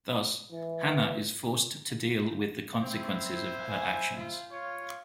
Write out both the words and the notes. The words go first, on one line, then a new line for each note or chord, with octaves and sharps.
Thus, Hannah is forced to deal with the consequences of her actions.
E3
C4 E4 C5
G#5
F4
F4 C#5